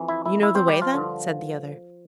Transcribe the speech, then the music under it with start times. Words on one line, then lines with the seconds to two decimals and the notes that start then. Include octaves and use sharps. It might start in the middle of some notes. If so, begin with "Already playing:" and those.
'You know the way then?' said the other.
Already playing: F2 E3
0.08 E4 E5
0.25 E4 E5
0.42 E4 E5
0.55 C4 C5
0.68 G3 G4
0.82 F3 F4
0.94 G2 D3